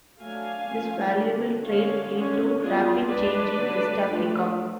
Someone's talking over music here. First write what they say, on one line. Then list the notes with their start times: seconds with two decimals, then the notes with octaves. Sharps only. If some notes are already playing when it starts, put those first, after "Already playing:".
This valuable trade lead to rapid change in West Africa.
0.21 F#3 A3 D4 F5 G#5
0.69 F3 A3 C#4
1.17 D3 F#3 A3 D4
1.65 D3 G#3 C#4 C#5 F5
2.13 D3 G#3 C#4
2.61 F#3 B3 D4 F4 G#4
3.09 G#3 D4 B4 D5
3.58 D3 F#3 A3 D4
4.06 F3 A3 D4